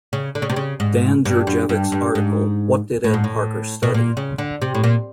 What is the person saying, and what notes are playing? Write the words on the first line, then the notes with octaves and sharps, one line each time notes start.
Dan Djurdjevic's article What did Ed Parker Study?
C#3
D3
C#3
C3
C#3
G#2
G2
F#2
G2
G2
G#2
A2
G#2
A2
B2
A#2
C#3
D3
C3
A2
A#2